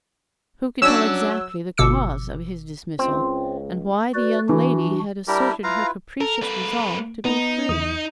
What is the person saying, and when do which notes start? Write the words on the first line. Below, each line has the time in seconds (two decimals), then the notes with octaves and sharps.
Who could tell exactly the cause of his dismissal, and why the young lady had asserted her capricious resolve to be free?
0.82 F#3 C#4 D4 E6
1.78 G1 B2 D6 E6 C#7
2.99 C#2 C4
4.15 F#4 B4 D5
4.49 E3 D4 F#4
5.28 G3 D4 E4 G4 A#4
5.64 E4 F4 B4 F5 A#5
6.21 A4 A#4
6.42 A#3 B4
7.25 B3 D#4
7.69 E2 D#6